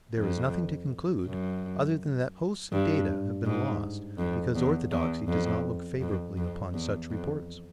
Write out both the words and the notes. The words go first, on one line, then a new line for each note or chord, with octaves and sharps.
There is nothing to conclude other than that hosts of data have been lost because orthodoxy does not look favorably upon such reports.
F2
F#2
G2
G#2
F2
E2
E2
F2
F2
F2
E2
F2